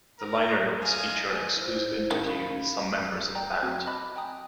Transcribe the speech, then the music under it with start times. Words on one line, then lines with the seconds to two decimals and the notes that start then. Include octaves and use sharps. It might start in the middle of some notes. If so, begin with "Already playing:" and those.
The liner notes feature an exclusive interview with some members of the band.
0.18 A#4 A#5
0.81 F4 G#4 D#5 G#5
1.56 E4 C5
2.11 D#3 C#4 F5 B5
3.22 G6
3.35 D5 G5 A#5
3.63 C4 F#4 G#6
3.87 D#5 A5 B5 D6 F#6
4.16 G5 G#5 A#5 D#6